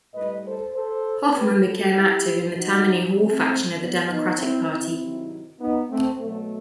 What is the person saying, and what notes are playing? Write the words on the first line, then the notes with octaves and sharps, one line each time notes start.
Hoffman became active in the Tammany Hall faction of the Democratic Party.
A2 G3 B4 D#5
A4 C5
A4 C5
A2 F#3 G4 B4
F#4 A4
E4 G4
A2 G3 D#4 F#4
A3 C4
B2 F#3 G3 B3
B3 D#4
C4 E4
C4 E4
C3 D#3 F#3
B3 D#4
A3 C4
B2 F#3 A3